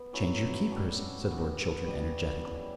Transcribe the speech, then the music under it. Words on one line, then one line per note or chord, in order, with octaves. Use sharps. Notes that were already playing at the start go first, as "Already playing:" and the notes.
"Change your keepers," said Lord Chiltern energetically.
Already playing: B3
A2 F#3 C#4 E4
G3 D4 F#4 A4
E3 B3 F#4 A4
G3 D4 F#4
C#3 E3 G3